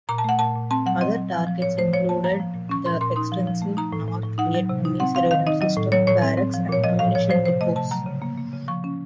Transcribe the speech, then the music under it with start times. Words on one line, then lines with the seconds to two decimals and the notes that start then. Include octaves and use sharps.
Other targets included the extensive North Vietnamese radar system, barracks, and ammunition depots.
0.09 A#2 A#5
0.18 A5
0.24 A3 F#5
0.39 A#2 A5
0.55 A#2
0.71 C4 A5
0.86 F#3 F#5
1.01 C4 D#5
1.16 F#3
1.33 F3
1.47 F3
1.62 A2 C#5
1.77 A3 C5
1.93 F3 C#5
2.09 A#3 A5
2.24 F3 A#5
2.40 F3
2.54 A#2
2.69 C#4 C#6
2.86 A#2 C6
3.01 A#2 C6
3.16 D#4 C6
3.32 F3
3.47 F3
3.62 A3
3.77 D#4 A#5
3.93 A2
4.08 A2
4.23 A2
4.38 D#4 F#5
4.54 F#3
4.69 C3
4.85 D#4
5.00 C4 F#5
5.15 C4 F5
5.31 D#3 F5
5.47 D#4 D#5
5.61 F#3 D#5
5.76 A2
5.92 F#3 C#5
6.07 A2 C#5
6.22 C4
6.38 C4
6.54 F3
6.69 A#2 C#5
6.84 F3 D#5
6.99 A2 F5
7.15 F3 C#5
7.30 F3 C5
7.46 C3 C5
7.61 A3 D#5
7.76 C3 A5
7.91 F#3 A#5
8.06 C#3
8.22 A#3
8.38 A#3
8.53 C#3
8.68 F3 C#6
8.84 C#4